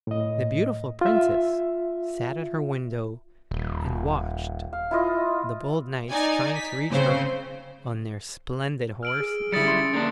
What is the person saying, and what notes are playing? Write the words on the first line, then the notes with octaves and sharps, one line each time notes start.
The beautiful Princess sat at her window and watched the bold knights trying to reach her on their splendid horses.
A2 D#5
F4 E5
D#1
F5
E4 F4 D#5
D#4 D5 G#5
B6
C#3 C4 C5
E6 F6 D7 F#7
G#4
D3 F#3 G3 E4 D#6 A6 C#7
C#4 C6
D3 A#3 D4